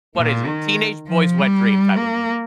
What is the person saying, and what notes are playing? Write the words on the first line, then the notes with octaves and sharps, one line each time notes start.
what is it? Teenage boys' wet dream type of movie.
A#2
D#3
F3
G3
A#3